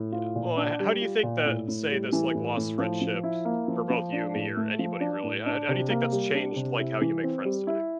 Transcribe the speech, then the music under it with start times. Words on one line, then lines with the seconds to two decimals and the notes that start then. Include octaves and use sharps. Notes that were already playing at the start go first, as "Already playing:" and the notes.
yeah, well h h how do you think that, say, this, like, lost friendships for- both you, me, or anybody really- how how do you think that's changed, like, how you make friends today?
Already playing: A2
0.12 F4
0.35 A#2
0.57 D4
0.79 G3
1.01 F4
1.23 A#2
1.46 A2
1.68 A2
1.91 G3
2.13 E3
2.35 A2
2.57 A2
2.78 F3
3.01 F3
3.23 E4
3.45 A#3
3.68 F3
3.90 F3
4.12 D4
4.35 A2
4.57 A3
4.79 F3
5.00 D4
5.23 A2
5.46 D4
5.68 C3
5.90 A#3
6.12 G3
6.35 D4
6.56 C3
6.79 E4
7.01 E3
7.23 C4
7.45 G3
7.67 E4